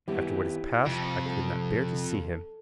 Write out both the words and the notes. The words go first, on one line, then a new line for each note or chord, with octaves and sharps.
After what has passed, I could not bear to see him.
D#3 B3 E4 G4 B4
F2 C3
A4